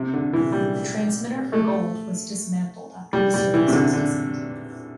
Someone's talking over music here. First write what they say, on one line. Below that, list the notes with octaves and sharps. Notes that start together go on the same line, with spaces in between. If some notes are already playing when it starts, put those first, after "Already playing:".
The transmitter for Gold was dismantled after the service was discontinued.
Already playing: C3
D3
E3
G3
A3
G3
G3
E3
C3
D3
D3